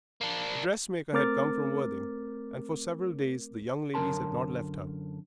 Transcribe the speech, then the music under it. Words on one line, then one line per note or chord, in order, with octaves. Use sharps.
The dressmaker had come from Worthing, and for several days the young ladies had not left her.
A#3 D4
A3 C4 A#4 D6 F6 A6
F#2 D3 A#4 A5 C6